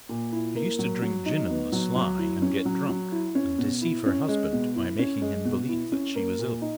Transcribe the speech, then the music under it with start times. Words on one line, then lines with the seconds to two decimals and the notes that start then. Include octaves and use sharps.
She used to drink gin on the sly, and get drunk, and deceive her husband by making him believe that she was ill.
0.09 A#2
0.32 E4
0.56 A#3
0.79 F#3
1.02 F#3
1.26 D#4
1.49 B3
1.72 F#3
1.96 F#3
2.19 E4
2.42 C#4
2.65 F#3
2.89 F#3
3.12 E4
3.35 C#4
3.58 B2
3.82 E4
4.06 C#4
4.28 G#3
4.53 B2
4.75 E4
4.99 C#4
5.22 G#3
5.45 B2
5.69 E4
5.92 C#4
6.15 A#3
6.39 A#2
6.61 D#4